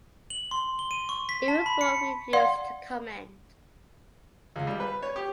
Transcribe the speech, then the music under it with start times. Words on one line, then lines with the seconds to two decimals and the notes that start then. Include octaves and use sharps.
Liverpool refused to comment.
0.30 F#7
0.51 C6
0.79 G7
0.91 D#7
1.09 C#6
1.29 B6
1.48 A5
1.66 B5
1.81 C#7
2.33 D5 F5 F#5 C6
4.56 C#2
4.67 G3
4.80 B4
5.02 C#5
5.16 G4